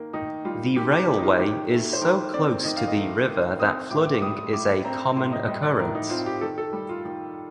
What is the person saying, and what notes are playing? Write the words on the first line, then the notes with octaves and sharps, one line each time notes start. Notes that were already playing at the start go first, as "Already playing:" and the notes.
The railway is so close to the river that flooding is a common occurrence.
Already playing: D#3 A#3
D#3 D#4
G3 F4
D#3 G4
G4
A#3 G4
D#4
F4
D#3 G4
A3
C5
D#3 A#4
C4 D5
D#3 D#5
F5
D#5
A3
D#3
C4 D#6
A2 D6
D6
G3 D#6
D#6
A2 D6
C4 A#5
A2 C6
D#5
G3 D#5
D5
A2 A#4
D#4
C4 F4
G4
D#3 A4
A4
G3
F4
D#3